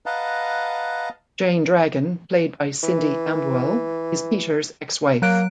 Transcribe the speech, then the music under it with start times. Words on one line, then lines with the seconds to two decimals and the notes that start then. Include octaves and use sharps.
Jane Dragon, played by Cindy Ambuehl, is Peter's ex-wife.
0.06 B4 D#5 F5 F#5 A5 A#5
2.83 E3
5.22 F#3 A#3 F#6 D7